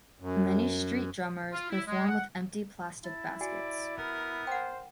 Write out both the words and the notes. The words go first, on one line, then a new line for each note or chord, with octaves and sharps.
Many street drummers perform with empty plastic baskets.
F#2
F4
E4
G#3
F#5
E4 A5
F#4 D5 G#5
B3 A#4
C5 F#5 G5